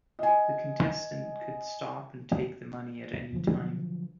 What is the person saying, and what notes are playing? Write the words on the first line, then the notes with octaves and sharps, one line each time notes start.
The contestant could stop and take the money at any time.
D#5 G#5
B2 D3 F3 F#3